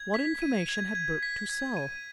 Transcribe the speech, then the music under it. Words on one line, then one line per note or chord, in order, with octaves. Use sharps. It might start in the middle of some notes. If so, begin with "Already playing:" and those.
What information had Burke to sell?
Already playing: G#6
B6
D#7
G#6
G#6
B6
G#6
D#7